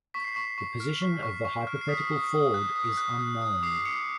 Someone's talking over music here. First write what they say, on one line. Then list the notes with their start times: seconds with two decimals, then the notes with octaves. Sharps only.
The position of the hypothetical ford is unknown.
0.14 C#6 B6
0.24 C7
0.35 C#6 B6
0.58 C#6
0.80 F6
1.02 C#6
1.23 C#6
1.45 C#6
1.67 F6
1.81 C7
1.89 D#6 B6
2.10 D#6
2.32 D#6
2.54 F#6
2.76 D#6
2.97 F#6
3.19 D#6
3.42 D#6
3.63 D6 C7
3.80 C7
3.85 D6 C#7